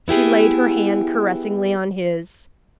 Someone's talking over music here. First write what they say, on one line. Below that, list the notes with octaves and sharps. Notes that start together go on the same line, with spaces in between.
She laid her hand caressingly on his.
B3 E4 G4 G#4